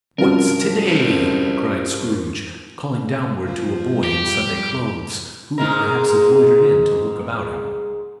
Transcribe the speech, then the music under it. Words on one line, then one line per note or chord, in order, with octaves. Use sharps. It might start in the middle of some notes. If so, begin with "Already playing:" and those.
"What's to-day!" cried Scrooge, calling downward to a boy in Sunday clothes, who perhaps had loitered in to look about him.
G2 C3 F3 C#4 F#4 A#4 A5
G4 A#4 C5
F3
G4
G3
G#2 G#3 A#4